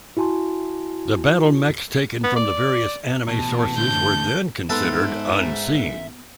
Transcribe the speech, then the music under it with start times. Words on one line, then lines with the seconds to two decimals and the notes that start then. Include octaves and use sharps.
The BattleMechs taken from the various anime sources were then considered "Unseen".
0.17 E4 F#4 G#5 A5 C6
2.24 B3
2.36 D5
3.28 A1 B2 A5
3.77 A2 D3 G6
4.70 G#2 B3 A4 B4 E5 A5 C6